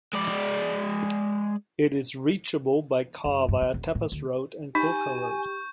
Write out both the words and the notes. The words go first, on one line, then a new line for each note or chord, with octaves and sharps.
It is reachable by car via Topaz Road and Gourka Road.
G#3 D5
F#2
G2
E3
E1
A2
D2
D#4 G4 G#5 C#6 G6